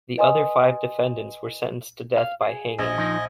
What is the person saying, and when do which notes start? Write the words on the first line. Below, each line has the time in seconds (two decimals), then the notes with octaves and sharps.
The other five defendants were sentenced to death by hanging.
0.17 B4 D#5 G#5 C6 D#6
2.17 F5
2.42 G#4
2.79 A#1 D#5 G#5
2.98 F3 D#4